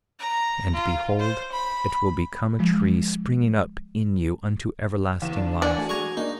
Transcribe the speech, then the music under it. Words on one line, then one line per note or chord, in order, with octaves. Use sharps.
And behold, it will become a tree, springing up in you unto everlasting life.
A#5
F4
C5
B5
F3 G#3
E2 F5 E7
D4
E3 D4 D5 F#5 G#5
A3 F#4
G#4 G#5 A#5 C#6
A#3 D4 D#4 D5